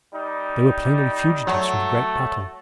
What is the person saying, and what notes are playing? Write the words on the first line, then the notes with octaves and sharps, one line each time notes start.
They were plainly fugitives from the great battle.
G3 D#4
F#3 A3